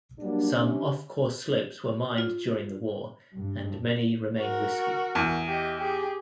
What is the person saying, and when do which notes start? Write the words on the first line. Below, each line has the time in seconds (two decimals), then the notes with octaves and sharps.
Some off-course slopes were mined during the war and many remain risky.
0.19 F#3 G3 A#3 D4
0.52 C3 C#4 D4
2.18 F4
3.34 G2
4.39 F#4 A#4
5.15 E2
5.48 G4 D#5
5.79 G4 G#4